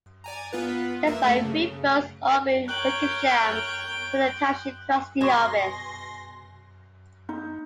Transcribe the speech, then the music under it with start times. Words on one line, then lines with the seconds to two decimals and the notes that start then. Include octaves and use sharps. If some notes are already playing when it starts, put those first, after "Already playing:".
Just by Three Votes Orvil Wickersham took the Township Trustee office.
0.24 D5 G#5 A#5
0.53 B3 F4 B4
1.07 A#3 E5
1.24 F#2 A3
1.45 C#3
2.68 A#4 C#5 G5 F#6 F#7
5.21 B2 F#4 G#4 G#5 C6 C#6 A#6
7.29 D#4